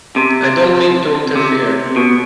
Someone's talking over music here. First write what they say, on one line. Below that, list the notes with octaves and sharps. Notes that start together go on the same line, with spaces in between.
I don't mean to interfere.
C3
C3
B2